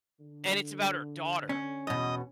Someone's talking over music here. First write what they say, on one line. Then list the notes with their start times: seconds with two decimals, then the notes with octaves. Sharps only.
and it's about her daughter.
0.21 D3
1.49 C#4
1.87 E2 B2 D#5